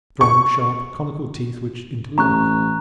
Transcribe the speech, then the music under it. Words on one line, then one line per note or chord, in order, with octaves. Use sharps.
Strong sharp conical teeth which interlock.
C#6
A1 A#5 C#6 F#6